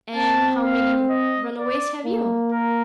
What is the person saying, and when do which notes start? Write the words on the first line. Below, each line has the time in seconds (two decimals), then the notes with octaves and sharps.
"And how many runaways have you?"
0.16 C4 A5
0.63 F5
1.10 D#5
1.58 D5
2.05 A#3
2.52 A#4